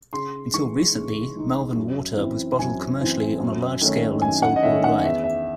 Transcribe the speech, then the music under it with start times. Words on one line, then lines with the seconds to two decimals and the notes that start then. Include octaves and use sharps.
Until recently, Malvern water was bottled commercially on a large scale and sold worldwide.
0.13 C#3 C6
0.54 E3 G#3 D#4 C#6
0.95 C#3
1.36 E3 G#3 D#4
1.76 F#2
2.17 E3 C4 E4
2.59 F#2 G#5
3.00 E3 C4 E4
3.40 F#2
3.81 D#3 A3 C#4
4.22 F#2 G#5
4.42 F#5
4.56 D#5
4.63 D#3 A3 C#4 E5
4.84 F#5
5.03 E2 E5
5.24 E5